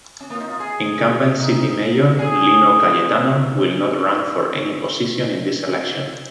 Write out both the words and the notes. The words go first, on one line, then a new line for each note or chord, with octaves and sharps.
Incumbent city mayor Lino Cayetano will not run for any position in this election.
C#4
A#3
F4
D#4
F4
G#4
D#4
G#4